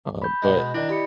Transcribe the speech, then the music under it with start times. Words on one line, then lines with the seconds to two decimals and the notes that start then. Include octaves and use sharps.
uh, but
0.22 B5 G6
0.42 B2 G#3
0.74 D#3 D4 E4 D5
0.89 G4 D#5 B5 C#7